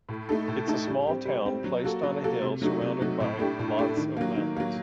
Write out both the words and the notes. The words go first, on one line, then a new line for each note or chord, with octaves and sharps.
It is a small town placed on a hill surrounded by lots of mountains.
A2
A3 D#4 A4
A2
A3 D#4 A4
G3
C4 G4
G3
C4 G4
F#3
A#3 F#4 A4
F#3
A#3 F#4 A4
C3
F#3 A3 D#4 F#4
C3
F#3 A3 D#4 F#4
A2
A3 D4 G4
A2
A3 D4 G4
D#3
F#3 A#3
D#3
F#3 A#3